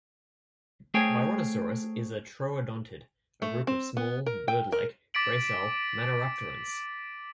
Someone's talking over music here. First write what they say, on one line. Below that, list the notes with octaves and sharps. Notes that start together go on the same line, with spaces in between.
"Byronosaurus" is a troodontid, a group of small, bird-like, gracile maniraptorans.
A3 G#4 C5 C#5 G5 G#5
A3
C4
B3
A#4
G5
A#4
D6 A6 B6 D7 F#7